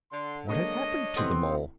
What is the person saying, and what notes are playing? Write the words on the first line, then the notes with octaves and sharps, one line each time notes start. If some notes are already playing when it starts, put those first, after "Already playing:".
What had happened to them all?
D3 C6
D3 G#3 A#3 D4 C#5 D#5
C3 B3 C4 E4 A4